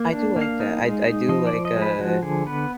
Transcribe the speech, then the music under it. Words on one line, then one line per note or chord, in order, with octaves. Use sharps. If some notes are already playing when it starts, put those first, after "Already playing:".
I do like that, I I do like, uh,
Already playing: A#3
D4
A#3
F5
D#4
G#3
D#4
F3 D#5
D5
F3
D#5
G#3
B4
F3 F#4
D3 G#4
B3 B4